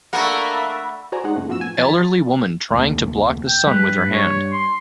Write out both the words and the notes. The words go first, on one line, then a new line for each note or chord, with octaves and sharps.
Elderly woman trying to block the sun with her hand.
A3 A#3 C#4 D4 A#4 E5 F#5 B5
F#4 C5 D5 G#5 A#5
G#3 D#4 F#5
F#2 A#2 C#3 A3
F#2 A2 F3 B3 F#4 E6
G#5
F3 G#5 B5 A6
F1 D2 A#3
G5
G3 G#3 B4
G2
C#5
C6